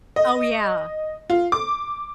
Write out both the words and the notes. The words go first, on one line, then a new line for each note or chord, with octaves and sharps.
Oh, yeah,
D#5
F4
D6